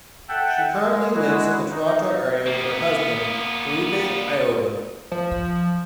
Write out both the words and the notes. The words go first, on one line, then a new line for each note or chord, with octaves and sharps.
She currently lives in the Toronto area with her husband, Philippe Ayoub.
A4 E5 F#5 G5
G#3
G#3 E4 F#4
D#4
A#3 B3
F3